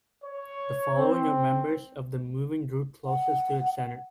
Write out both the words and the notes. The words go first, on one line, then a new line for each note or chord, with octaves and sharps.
The following are members of the moving group closest to its center.
C#5
C4
F#5